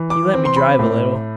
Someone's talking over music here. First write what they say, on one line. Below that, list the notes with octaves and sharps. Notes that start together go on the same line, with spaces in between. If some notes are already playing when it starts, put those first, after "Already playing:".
He let me drive a little.
Already playing: E3
D6
C4
C6
B5
A2